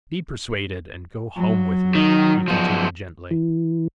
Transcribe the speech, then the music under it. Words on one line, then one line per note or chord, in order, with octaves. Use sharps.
"Be persuaded, and go home with me," he continued gently.
F#3
D#3
F3 B3
E3